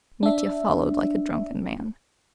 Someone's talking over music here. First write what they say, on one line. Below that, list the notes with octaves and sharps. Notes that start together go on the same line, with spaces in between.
Mitya followed like a drunken man.
D4 E5